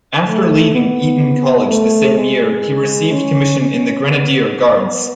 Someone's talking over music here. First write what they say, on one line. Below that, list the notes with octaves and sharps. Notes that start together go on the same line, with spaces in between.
After leaving Eton College the same year, he received commission in the Grenadier Guards.
A3
B3
A3
G#3
C#4
C#4
B3